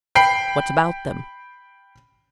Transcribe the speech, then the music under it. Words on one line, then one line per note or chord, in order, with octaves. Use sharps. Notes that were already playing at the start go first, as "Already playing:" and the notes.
"What about them?"
G5 B5 C7 D7